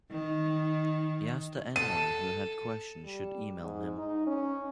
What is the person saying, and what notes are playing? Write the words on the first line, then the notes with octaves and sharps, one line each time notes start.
He asked that anyone who had questions should email him.
D#3
A4 A5 D#7
G3
G#2
D#4
C#4